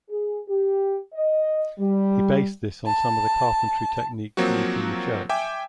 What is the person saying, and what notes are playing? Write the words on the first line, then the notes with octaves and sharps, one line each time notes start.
He based this on some of the carpentry techniques used in the church.
G#4
G4
D#5
G3
A5
F3 F#3 A#3 C4 F#4
E5 G5 G#5 D6